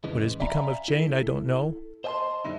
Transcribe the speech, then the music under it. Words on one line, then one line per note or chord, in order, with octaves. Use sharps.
What has become of Jane I don't know.
F2 C#3 E3 G#3
D5 E5 F5 G#5 A#5 B5
E4 A4
C5 D#5 E5 G#5 A5 C6
F#2 D3 G3 G#3 D#4 E4